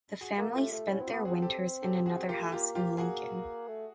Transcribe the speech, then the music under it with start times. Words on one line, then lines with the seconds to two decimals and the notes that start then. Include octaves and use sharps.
The family spent their winters in another house in Lincoln.
0.21 F#4 G#4
0.38 A#3
0.50 A#3
0.55 A3 F4 G4
0.72 A3
0.90 C#4 E4 F#4
1.01 C4
1.07 F4 G4
1.13 B3
1.24 C4 F#4 G#4
1.42 G4 A4
1.83 G4 A4
2.06 F#4 G#4
2.29 A#3 F4 G4
2.42 A3
2.52 A#3 F4 G4
2.75 F4 G4
2.98 F#4 G#4
3.68 A3